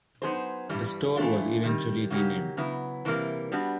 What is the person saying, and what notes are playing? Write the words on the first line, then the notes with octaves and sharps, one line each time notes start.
The store was eventually renamed.
F#3 B3 D#4 G#4 C5
G2 E3 G3
E3 A3 D4 F4
C3 D#3 G3
C#3 F#3 A#3 D#4 G4
C#3 F#3 B3 E4
C3 E3 G3 A#3
G3 B3 D4 F#4